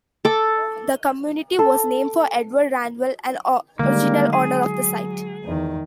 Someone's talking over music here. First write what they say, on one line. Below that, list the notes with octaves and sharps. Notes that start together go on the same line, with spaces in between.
The community was named for Edward Randall, an original owner of the site.
A4 D6
A4
D3 D#3 G3 G#3 A#3
F#3 G#4
E2 D#3